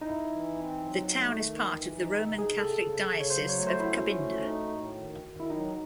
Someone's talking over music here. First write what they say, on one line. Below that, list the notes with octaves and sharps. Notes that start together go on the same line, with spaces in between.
The town is part of the Roman Catholic Diocese of Kabinda.
D#4 E4
E3
C4
F#3
A3
D#3
E3
D#4
C3
G#4
C3
A4
C#3
C#3
C#5
F#3 C5
C#5
A3
C5
E4
C#4 F#4
A3
D#4
A2
D#3
D#3
E4
F#3 D#4